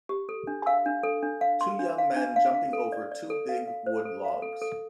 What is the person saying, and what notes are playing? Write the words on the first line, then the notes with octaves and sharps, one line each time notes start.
Two young men jumping over two big wood logs.
G4
A4
D4
F5
D4
A4
D4
F5
C6
D4
F5
D4
F5
F5
A4
D5
D5
A4
F5
F5
C5
A4
F5
A4
A4